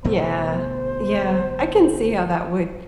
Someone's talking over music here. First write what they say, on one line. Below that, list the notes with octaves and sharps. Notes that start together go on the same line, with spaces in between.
Yeah. Yeah. I can see how that would
G1 B2 A3 C5